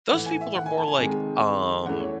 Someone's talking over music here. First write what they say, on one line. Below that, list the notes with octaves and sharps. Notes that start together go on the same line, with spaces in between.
Those people are more like, um
A2 E3 A3 F#5
G#5
E5
F#5
G#5
A5
G#5
C3 D#3 G#3
E2 C#3 E3 A3 F#5
C#5